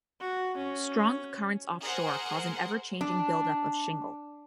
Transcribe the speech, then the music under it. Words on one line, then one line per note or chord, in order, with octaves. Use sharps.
Strong currents offshore cause an ever-changing build-up of shingle.
F#4
C#4
G#4 A#4 C5 F#5
D4